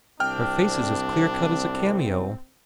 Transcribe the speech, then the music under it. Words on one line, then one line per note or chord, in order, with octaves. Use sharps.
Her face is as clear-cut as a cameo.
C2 C4 D4 G5 F6